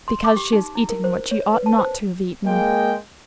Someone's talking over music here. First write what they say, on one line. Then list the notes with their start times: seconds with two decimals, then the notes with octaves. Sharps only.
'Because she has eaten what she ought not to have eaten.
0.08 C6
0.24 D6
0.36 G4
0.53 D#4
0.75 E4
0.90 A#4
1.04 C5
1.31 C#5
1.54 B4
1.66 A5
1.78 C5
2.46 G#3 A#3 G5